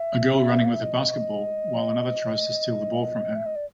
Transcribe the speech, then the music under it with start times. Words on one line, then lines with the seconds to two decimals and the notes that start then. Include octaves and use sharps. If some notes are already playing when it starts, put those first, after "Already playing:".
A girl running with a basketball, while another tries to steal the ball from her.
Already playing: E5
0.65 F5
0.74 E5
0.83 D#5
3.35 E5
3.46 D#5
3.56 D5